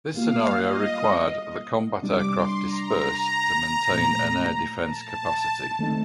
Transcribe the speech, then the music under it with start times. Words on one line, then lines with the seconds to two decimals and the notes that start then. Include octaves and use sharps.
This scenario required that combat aircraft disperse to maintain an air defence capacity.
0.14 A2 G3 A#3 F4 F5
0.62 D#5
2.02 C3 G3 D4 D6
2.34 C6
2.66 A#5
3.91 A#2 F3 A3
4.84 A5
5.79 D#3 A3 C4 D#4